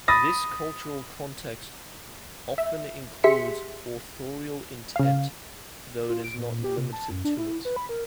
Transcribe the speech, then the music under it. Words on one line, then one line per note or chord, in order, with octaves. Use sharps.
This cultural context often includes authorial intent, though it is not limited to it.
B5 D#6 A6 A#6
E5
G4 G#4 E5 C6 B6 C#7
C#3 F5
F4
D7
A#2
G4
C3
A5
F#2
D4
E4
B4
B5
A#4